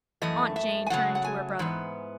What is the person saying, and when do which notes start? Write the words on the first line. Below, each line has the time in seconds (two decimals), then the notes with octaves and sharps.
Aunt Jane turned to her brother.
0.22 F#2 E3 A3 D#5
0.56 E5
0.86 G#5
0.90 C#3 F#3 A3 F#5
1.15 F#5
1.24 G#5
1.59 G#2 E3 B3